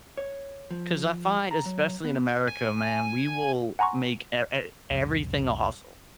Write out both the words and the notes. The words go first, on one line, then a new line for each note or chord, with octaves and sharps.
'Cause I find, especially in America, man, we will make e e everything a hustle.
C#5
F3
A#5
F#3
B3
G#5
F#5 G#5 A#5 C6 C#6
C2 F2 G#2 C#3